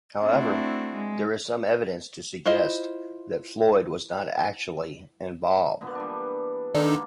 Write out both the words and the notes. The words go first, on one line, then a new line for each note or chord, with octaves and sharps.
However, there is some evidence to suggest that Floyd was not actually involved.
A3 C4 D4 E4 F#4
G#3
E4 F4 C5 D#5
A#2 D3 B3
E3 G3 D4
D#3 G#3 A#3 D4 D#4 A4
D3